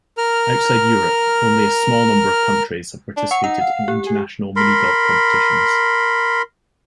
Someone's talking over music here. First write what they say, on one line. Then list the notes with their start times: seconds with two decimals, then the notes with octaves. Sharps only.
Outside Europe only a small number of countries have participated in international minigolf competitions.
0.18 A#4 F6
3.17 D4
3.31 F#5 C#6
3.44 D#4 F#5
3.60 F5
3.88 G4
4.06 G#4
4.56 A#4 B5 C6